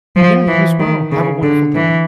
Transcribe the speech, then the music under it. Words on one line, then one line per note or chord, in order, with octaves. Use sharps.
Yeah, you as well. Have a wonderful day.
F3
E3
D#3
C#3
D3
E3